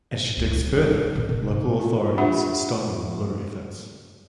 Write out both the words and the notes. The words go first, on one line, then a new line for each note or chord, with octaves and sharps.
As she digs further, local authorities stonewall her efforts.
C#2 F#2
E3 G3
A2 F3
C3
F4
D4 F4 G4 E5 F#5 B5